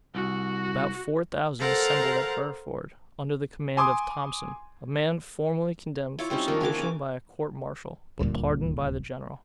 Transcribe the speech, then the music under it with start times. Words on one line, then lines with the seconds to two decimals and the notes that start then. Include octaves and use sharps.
About four thousand assembled at Burford, under the command of Thomson, a man formerly condemned for sedition by a court martial, but pardoned by the general.
0.15 C2 F#4
1.58 A4 A#4 C5 F5 F#5 A#5
3.77 G#5 C6 D6 D#6
6.19 E4 F4 C#5 D6
6.30 G3 C4 C#4 D#4
6.48 D#3 F3 A#3 D4
6.60 E3 F#4 G#5 D6
6.79 C#3 D6
8.19 D#1 D2 G2 A#2